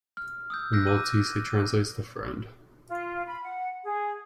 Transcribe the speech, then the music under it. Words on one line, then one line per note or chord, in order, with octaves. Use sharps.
In Maltese it translates to "friend".
F6
D#6 E6 G6
E6 F#6 G6 A#6
D6 E6 D#7
F4
B5
F#5
G#4